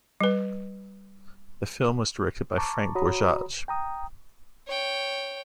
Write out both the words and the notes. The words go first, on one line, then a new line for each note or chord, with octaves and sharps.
The film was directed by Frank Borzage.
G3 B4
A5 A#5 C#6 D6
F#4 C#5 A#5 B5 D#6
G5 A#5 D#6
C#5 G5